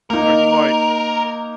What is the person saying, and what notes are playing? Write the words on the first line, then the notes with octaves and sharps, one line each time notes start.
"Are you like"
A#3 D#4 A#4